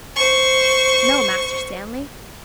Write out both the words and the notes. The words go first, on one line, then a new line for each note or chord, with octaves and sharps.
'No, Master Stanley!
C5 C#6